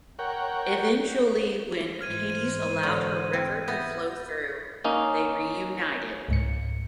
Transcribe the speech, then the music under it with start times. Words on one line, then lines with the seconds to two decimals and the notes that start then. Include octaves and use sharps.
Eventually when Hades allowed her river to flow through, they reunited.
0.19 A#4 C#5 F#5 G5
2.01 G#2 E3 C5 F6 G#6 D#7
2.30 D#7
2.83 D3
3.33 C4
3.68 B3 E5 G6 A6 A#6
4.84 A#3 C#4 D#4
6.28 C#2 G#2 C#7